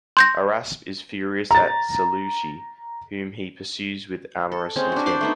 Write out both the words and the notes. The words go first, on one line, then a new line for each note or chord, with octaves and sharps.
Araspe is furious at Seleuce, whom he pursues with amorous intent.
C6 G6 A#6
A#5 A6
A4
G#3 C4 C#4
D4 F#4
C5 D5 C6 D6
A3 B3 D#4